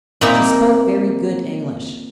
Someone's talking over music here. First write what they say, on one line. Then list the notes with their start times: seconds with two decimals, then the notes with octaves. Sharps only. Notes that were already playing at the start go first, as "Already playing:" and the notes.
She spoke very good English.
0.21 A#2 A#3 C4 D#4 E4 A#4